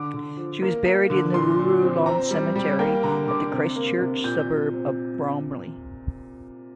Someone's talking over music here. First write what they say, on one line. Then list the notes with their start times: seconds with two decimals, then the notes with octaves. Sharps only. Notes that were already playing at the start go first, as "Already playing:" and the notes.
She was buried at the Ruru Lawn Cemetery in the Christchurch suburb of Bromley.
Already playing: D3 D6
0.14 D3
0.37 F3
0.62 A#3
0.86 A#3
1.10 D3
1.34 A#2 C6
1.59 A#2
1.83 C4
2.06 C4 A#5
2.31 G3
2.56 G3
2.79 A#3 G5
3.03 D3 A#5
3.27 D3 D6
3.52 C3
3.76 A#3
4.00 C3
4.24 A#2 G6
4.48 A#2
4.73 C4